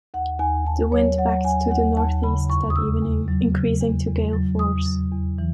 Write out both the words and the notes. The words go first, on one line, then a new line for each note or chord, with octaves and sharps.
The wind backed to the northeast that evening, increasing to gale force.
D#2 F#5
D#2 G#5
D#2 A5
F#3 C#5
F#3 F#5
D#2 G#5
D#2 F#5
D#2 A5
C#3 B5
E2 C#6
D#6
C#3 E6
E2
F#3
C#3
E2
E2
F#3
E2 D#6
F#3
E2
E3